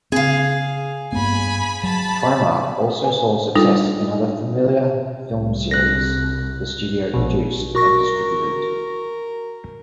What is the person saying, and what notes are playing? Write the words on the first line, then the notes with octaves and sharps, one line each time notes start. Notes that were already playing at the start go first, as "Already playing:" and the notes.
Trimark also saw success in other familiar film series the studio produced and distributed.
C#3 C4 G#4 F5
G2 A#3 B3 G#5 B5
F#3 A5 B5
B4 G#5
G3 D4 D#4 F4 A4
C2
F#6 A#6
A#1 B2
F#4 A#4 C#6 A#6